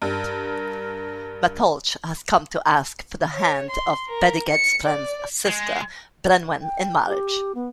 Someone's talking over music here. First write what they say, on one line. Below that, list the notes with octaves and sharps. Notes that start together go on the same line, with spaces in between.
Matholwch has come to ask for the hand of Bendigeidfran's sister Branwen in marriage.
G2 A#4
C#5
C6
A#4
C#7
D5
G#3
G5
G4
B3